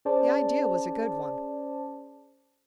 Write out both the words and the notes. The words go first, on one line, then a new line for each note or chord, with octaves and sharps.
The idea was a good one.
C#4 G#4 C5 D5 A5